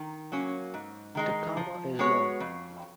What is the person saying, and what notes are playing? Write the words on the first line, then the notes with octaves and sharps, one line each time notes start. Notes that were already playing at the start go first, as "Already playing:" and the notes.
The Kama is long.
Already playing: D#3
F#3 A#3 C#4
G#2
D#3 G#3 D#4
F3
G#3 B3 F#4 C#5
F2